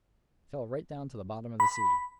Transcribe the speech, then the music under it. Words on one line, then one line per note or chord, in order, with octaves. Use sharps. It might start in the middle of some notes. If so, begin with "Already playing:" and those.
It fell right down to the bottom of the sea.
B5